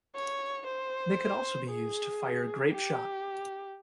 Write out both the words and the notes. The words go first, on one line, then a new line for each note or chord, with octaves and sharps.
They could also be used to fire grapeshot.
C#5
C5
G#4
G4